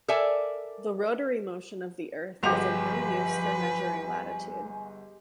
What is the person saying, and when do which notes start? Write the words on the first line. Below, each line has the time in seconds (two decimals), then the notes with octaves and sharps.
The rotary motion of the earth is of no use for measuring latitude.
0.08 A4 A#4 D5 E5 G#5
2.43 G1 F3 G#3 F#4 G4 B4 G#5 F7